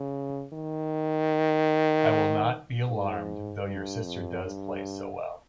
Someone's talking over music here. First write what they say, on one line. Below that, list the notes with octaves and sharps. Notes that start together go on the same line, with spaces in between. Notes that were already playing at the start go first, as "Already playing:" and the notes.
I will not be alarmed though your sister does play so well.
Already playing: C#3
D#3
G#2
G2
F2
G2